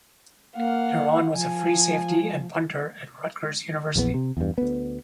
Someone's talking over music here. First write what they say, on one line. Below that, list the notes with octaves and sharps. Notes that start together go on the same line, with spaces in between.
Deron was a free safety and punter at Rutgers University.
A#3 F5 F#5
F3 G#5
A#1 E2 E3 B3
C3
E2 G2
D2 B3